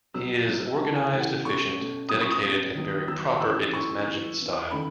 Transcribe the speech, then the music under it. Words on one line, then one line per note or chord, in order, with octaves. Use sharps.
He is organized, efficient, dedicated, and very proper in his management style.
B2 F#3 B3 E6
B2 F#3 B3
C#3 E3 A3 A5
G#5
C#3 E3 A3
F#5
B2 A3 C#4 C#6
B2 A3 C#4
B2 F#3 C#4 D#6
C#6
D#6
B2 F#3 C#4
D#3 F#3 B3
D#3 F#3 B3 E6
E3 A3 C#4 E6
E3 A3 C#4 C#6
E3 B3
E3 B3
D#3 A3 C#4 B5